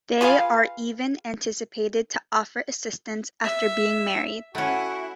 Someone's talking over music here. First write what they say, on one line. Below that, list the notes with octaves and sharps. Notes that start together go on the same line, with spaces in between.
They are even anticipated to offer assistance after being married.
F4 G#4 B4 F5
E5
A3 C#4 E4 F#4 F#5